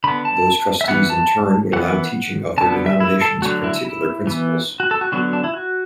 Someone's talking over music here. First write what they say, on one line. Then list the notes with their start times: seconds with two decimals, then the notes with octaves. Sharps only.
Those trustees in turn would allow teaching of their denomination's particular principles.
0.04 D3 B3 B5
0.25 A5
0.81 E5
0.88 E3 B3 F#5
1.10 A5
1.73 E3 B3 F#5
2.58 D3 B3 A5
2.86 E5
3.00 E4
3.21 A4
3.42 D3 F#3 A3 F#4
3.64 E4
3.85 E4
4.27 E3 B3
4.80 F#4
4.91 A4
5.01 F#4
5.12 D3 F#3 B3 F#4
5.33 D4
5.44 E4
5.54 F#4